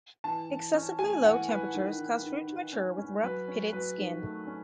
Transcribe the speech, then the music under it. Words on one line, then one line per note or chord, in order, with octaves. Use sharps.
Excessively low temperatures cause fruit to mature with rough, pitted skin.
E3 A5
E3
C#4
A3 G#5
E3 F#5
E3 B4
D#3
D#3
D#3
D#3
C#4
C#4
F#3 B4
C#4
F#3 B4
D#3
A3
C#4